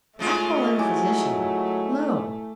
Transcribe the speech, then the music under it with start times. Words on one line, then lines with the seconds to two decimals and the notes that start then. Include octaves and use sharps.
I call in a physician; lo!
0.19 C#3 G#3 A3 F4
0.79 F#3 E4 G#5 D6